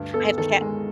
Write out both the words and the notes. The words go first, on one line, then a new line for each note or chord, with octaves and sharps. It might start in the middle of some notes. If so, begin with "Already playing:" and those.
I have ke
Already playing: D2 G2
B3 A4
D#3 A4
G#3